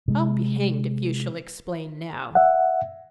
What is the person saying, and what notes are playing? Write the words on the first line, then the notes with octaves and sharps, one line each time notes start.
I'll be hanged if you shall explain now.
C3 G#3
E5 F#5